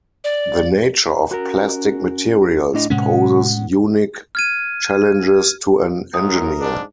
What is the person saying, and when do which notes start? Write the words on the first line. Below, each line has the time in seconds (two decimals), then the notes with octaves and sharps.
The nature of plastic materials poses unique challenges to an engineer.
0.24 D5
1.31 C#4 F#4 A#4
2.74 A2 D4 E4 D#5
2.90 A2 C3 G#3 C#4 F#5
4.35 F6 G#6 D#7
6.14 F#2 A#4 D#6
6.60 G#2 D4